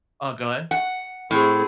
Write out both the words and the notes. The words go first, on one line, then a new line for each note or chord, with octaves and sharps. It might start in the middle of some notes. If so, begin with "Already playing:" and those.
Oh, go ahead.
F#5
A2 C4 G#4